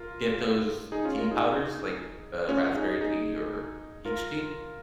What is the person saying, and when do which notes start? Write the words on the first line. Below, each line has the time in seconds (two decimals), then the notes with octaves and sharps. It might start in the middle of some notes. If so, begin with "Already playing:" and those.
get those tea powders, like, uh, raspberry tea or peach tea,
Already playing: F4 A#4
0.92 D#4 G#4
1.05 C#4 F4
1.18 F4 A#4
1.31 D#4 G#4
2.49 C#4 F4
2.75 D#4 G#4
3.01 D#4 G#4
4.05 F4 A#4